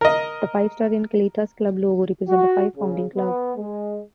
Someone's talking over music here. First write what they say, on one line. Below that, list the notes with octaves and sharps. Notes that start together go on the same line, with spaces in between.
The five stars in Kallithea's club logo represent the five founding clubs.
A#4 D#5
F#4
C#3
B3
G#3